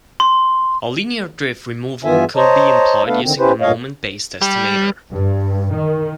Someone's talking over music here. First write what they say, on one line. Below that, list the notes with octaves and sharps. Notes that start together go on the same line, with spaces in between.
A linear drift removal could be employed using a moment based estimator.
C6
G2 E3 B3 F4 E5 G#5
C5 C#5 D#5 A5 A#5
A3 B3 D4 A4 B4 F5
D3 D#3 C4
C#4 E4 G4 B4 C5
G2 A#2 C#5 D#5 F5
G3
G2
D#3